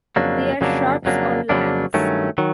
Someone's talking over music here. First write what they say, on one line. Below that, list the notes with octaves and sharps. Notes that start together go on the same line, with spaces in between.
They are shrubs or lianas.
F2 C#3 F#3 A#3 D4
F2 C#3 F#3 A#3 D4
F2 C#3 F#3 A#3 D4
F2 C#3 F#3 A#3 D4
G2 D#3 F#3 A3 C#4
D#3 F#3